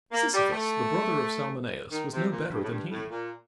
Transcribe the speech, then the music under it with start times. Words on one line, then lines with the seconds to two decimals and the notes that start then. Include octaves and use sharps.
Sisyphus, the brother of Salmoneus, was no better than he.
0.11 A#3
0.32 G3
0.51 A3
1.91 D#3
2.11 C3
2.30 A#2
2.50 G2
2.62 A2
2.70 G2
2.90 A2
3.09 A#2